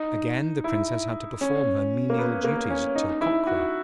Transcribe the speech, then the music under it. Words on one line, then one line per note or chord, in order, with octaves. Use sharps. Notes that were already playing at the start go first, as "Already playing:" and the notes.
Again the Princess had to perform her menial duties till cock-crow.
Already playing: D#4
E4
C#4
A#3
B3
A#3
C#4
D#4
E4
F#4